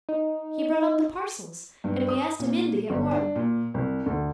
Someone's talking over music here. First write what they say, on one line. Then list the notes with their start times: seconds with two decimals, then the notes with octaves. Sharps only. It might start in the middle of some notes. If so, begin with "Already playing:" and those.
He brought up the parcels, and we asked him in to get warm.
0.09 D#4
1.84 G2
2.08 D#6
2.39 A#2
2.90 G1
3.11 D4
3.36 A#2
3.74 C2
4.06 D2